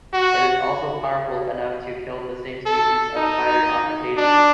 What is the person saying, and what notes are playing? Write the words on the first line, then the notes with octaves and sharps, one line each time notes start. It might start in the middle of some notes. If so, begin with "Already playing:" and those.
It is also powerful enough to kill the same species of spider on occasion.
F#4
A4
D#4
D4